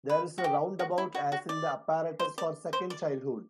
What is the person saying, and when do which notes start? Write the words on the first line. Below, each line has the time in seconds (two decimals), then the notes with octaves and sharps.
There is a roundabout as in the apparatus for second childhood.
0.09 B4
0.38 F#4
0.44 G4
0.79 F#4
0.98 E4
1.15 F#4
1.32 F#4
1.49 D5
2.19 C5
2.38 D5
2.73 C5
2.90 D5